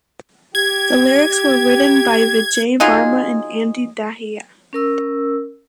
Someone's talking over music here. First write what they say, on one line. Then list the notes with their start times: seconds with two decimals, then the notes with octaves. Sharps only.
The lyrics were written by Vijay Varma and Andy Dahiya.
0.55 G4 G#6
2.80 F#3 D#4 F4 G#4
4.73 C#4 A#4 E6